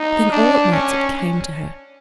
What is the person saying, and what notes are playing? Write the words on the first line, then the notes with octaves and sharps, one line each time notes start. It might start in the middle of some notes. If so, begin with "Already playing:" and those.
Then all at once it came to her.
Already playing: D#4
D4
C#4